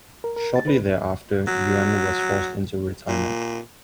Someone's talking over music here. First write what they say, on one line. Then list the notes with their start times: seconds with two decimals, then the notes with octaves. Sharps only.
Shortly thereafter Yuan was forced into retirement.
0.24 A#4
0.37 A#4
0.56 A6
0.68 B4
1.47 F#3
3.08 A#2